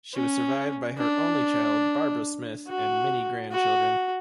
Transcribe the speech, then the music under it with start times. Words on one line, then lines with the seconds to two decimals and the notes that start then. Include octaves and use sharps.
She was survived by her only child Barbara Smith, and many grandchildren.
0.14 C#4
0.98 D4
2.68 F#4
3.51 F#4